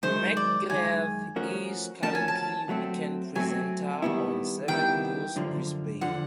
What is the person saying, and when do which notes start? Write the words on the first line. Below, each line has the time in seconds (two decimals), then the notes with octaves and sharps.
McGrath is currently weekend presenter on "Seven News Brisbane".
0.03 F#2 D#3 G#3 C5
0.37 D5
0.70 F#2 D#3 G#3 G#5
1.36 F3 A3 C#4 F#4 A#4
2.03 F3 A3 C#4 F#4 A#4 A5
2.15 G#5
2.28 A5
2.69 F#3 A3 C4
3.36 F#3 A3 C4 G#5
4.02 D#3 G3 B3 E4
4.68 D#3 G3 B3 E4 G5
5.36 F#2 D3 F3
6.01 D3 F3 F#5